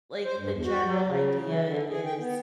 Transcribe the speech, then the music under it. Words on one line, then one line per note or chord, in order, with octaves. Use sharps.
like, the general idea is
C5
G2
E2
F#4
F#3
C#3
E3
D3
G#4
G5
B3